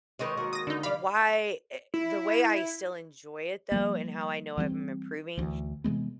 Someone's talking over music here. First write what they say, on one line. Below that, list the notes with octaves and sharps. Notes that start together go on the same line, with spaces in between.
why eh the way I still enjoy it, though, and how I know if I'm improving
D#3 G#3 D#4 B4 C#5
D#2 F#4 A#4
D#6 A#6
D3 D#4
G3 A#3 D5 F5 B5
E4
F3 G3 A#3
E3 G3 B3 C4
D2 E3
C3 E3 G#3 B3